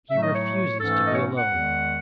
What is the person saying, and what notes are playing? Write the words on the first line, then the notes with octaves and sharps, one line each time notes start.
He refuses to be alone.
A2 F#3 A3 E5
D#5
C#5
G#2 E3 A3 C#4 A4
D#5
C#5
F#5
E2 D#3 G#3